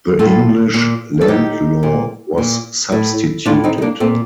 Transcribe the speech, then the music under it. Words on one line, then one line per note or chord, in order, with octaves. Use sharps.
The English land law was substituted.
A2 F4 A4
A#2
A4
A2 D#4 G4
A#2
A#2
A2
A2 D4 F4
C4 D#4
D#4
A#3 D4
A#2 A3 C4